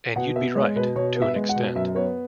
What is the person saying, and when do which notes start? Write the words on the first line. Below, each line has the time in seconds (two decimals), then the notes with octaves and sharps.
And you'd be right, to an extent.
0.16 B2 F#5
0.36 B3 E5
0.55 G#3 C#5
0.76 B2 B4
0.96 B2 C#5
1.16 B3
1.22 E5
1.36 G#3
1.49 F#5
1.56 B2
1.75 F#2 E5
1.95 B3 C#5